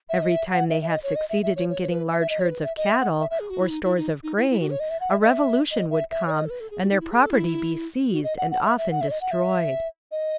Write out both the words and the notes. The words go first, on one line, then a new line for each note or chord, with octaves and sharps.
Every time they have succeeded in getting large herds of cattle or stores of grain a revolution would come and their property be seized and often destroyed.
E5
D#5
E5
F#5
E5
E5
D#5
C#5
D#5
E5
E5
C#5
C#5
C#5
B4
E5
E5
D#5
C#5
B4
E5
D#5
E5
F#5
E5
E5
G#4
F#4
E4
D#4
E4
D#4
D#4
E4
E4
F#4
C#5
D#5
E5
F#5
E5
D#5
E5
D#5
E5
E5
C#5
D#5
A4
B4
A4
G#4
F#4
D#4
E4
G#4
A4
E4
F#4
D#5
F#5
F#5
E5
E5
F#5
E5
C#5
D#5
F#5
E5
D#5